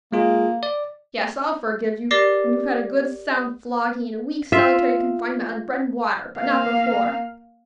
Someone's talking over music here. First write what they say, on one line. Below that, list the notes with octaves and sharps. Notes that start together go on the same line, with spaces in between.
"Yes, I'll forgive you when you've had a good, sound flogging, and a week's solitary confinement on bread and water, but not before."
G#3 A#3 F4 G#4
D5
G4 A#4 D5 D6 A#6 C7
F4 E5
A#3 F5